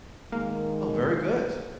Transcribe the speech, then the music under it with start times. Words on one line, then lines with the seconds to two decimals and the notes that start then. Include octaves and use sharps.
Oh, very good.
0.32 D#3 G#3 A#3